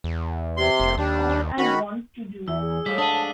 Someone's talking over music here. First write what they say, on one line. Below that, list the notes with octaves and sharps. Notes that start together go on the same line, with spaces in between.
That's all I want to do.
E2
C3 C6
F1
D#2 G3 D4
D#2
D#3 C#4 F#4 B5
E2 E5 E6
G#4
A2 F3 G3 G#3 B6
G#2 D4 A5 D#6 D#7